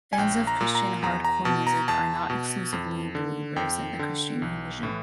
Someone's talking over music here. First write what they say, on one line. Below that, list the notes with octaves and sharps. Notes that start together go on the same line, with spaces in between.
Fans of Christian hardcore music are not exclusively believers in the Christian religion.
G#5
A#1 G5
A#5
A#2
A#5
E2 A#5
A#5
B2 A5
A#5
E2 A5
B2
F2
D3
F2 G5
D3
B1
A2 E3